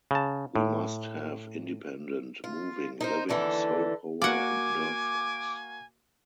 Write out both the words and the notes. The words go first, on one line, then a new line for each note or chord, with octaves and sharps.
We must have independent, moving, living soul power and nerve force.
C#3 A5
A2
F4
D#4 A#4 C5
D#2 D3 E3 D4 A4
A#3 F#4 D5 F5 F#5 G#5 D6